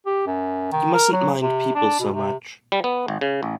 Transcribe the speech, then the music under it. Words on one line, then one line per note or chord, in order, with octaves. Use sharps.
You mustn’t mind people so much.
G4
F#2
D#3
A#4
F#3
C3
D4
B2
C3
G3
B3
G#1
C#3
A1